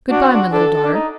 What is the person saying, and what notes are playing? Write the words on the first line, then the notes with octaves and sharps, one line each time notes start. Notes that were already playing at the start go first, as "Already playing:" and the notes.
Good-bye, my little daughter.
D4 F#4
C4
D4
D4 A4
D4
D#4